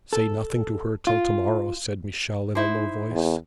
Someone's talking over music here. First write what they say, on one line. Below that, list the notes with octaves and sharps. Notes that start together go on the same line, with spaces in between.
'Say nothing to her till to-morrow,' said Michel in a low voice.
A4
F4
D#4 E4 C5
E2